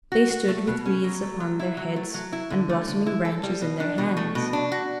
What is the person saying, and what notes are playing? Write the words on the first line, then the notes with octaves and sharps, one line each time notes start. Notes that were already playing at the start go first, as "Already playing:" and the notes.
They stood with wreaths upon their heads and blossoming branches in their hands.
F#4
F#4
A3
B2
C#4
F#3
A3
F#3
E4
F#3
A3
F#3
E4
D3
A3
D3
E4
A4
G3
B2
D4
B2
A3
B2
D4
F#4